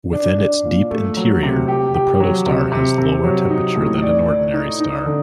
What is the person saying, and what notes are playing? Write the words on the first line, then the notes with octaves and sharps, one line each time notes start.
Within its deep interior, the protostar has lower temperature than an ordinary star.
D4
D4
A#2
A3
F#3
C3
G4
G4
F#3
C3
C3
C3
F#3
D#4
A2
D5
D5
D#4
D#4
D3